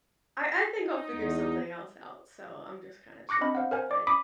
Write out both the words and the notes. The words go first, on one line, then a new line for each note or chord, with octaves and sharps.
I I think I'll figure something else out. So I'm just kinda chilling, but
D#4
E2
C#6 D6 F#6 A#6 C#7
C4 D4 D#5 B5
C5 F5 F#5
A#4 C5 G#5
D5 D6
B5 D6 D#6 B6